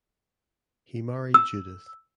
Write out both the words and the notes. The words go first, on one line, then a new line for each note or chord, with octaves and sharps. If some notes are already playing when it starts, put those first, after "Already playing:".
He married Judith.
E6